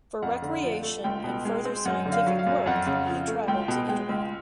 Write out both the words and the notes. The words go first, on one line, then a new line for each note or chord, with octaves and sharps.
For recreation and further scientific work he travelled to Italy.
F2 F#5
D3
F3
A3
C#2 G5
B2
G#3
C4
F#2 F#5
D3
F5
F#3
F5
F#2
F2 F#5
C#3
F3
A3
C#2 G5
B2
G#3 G5
C#2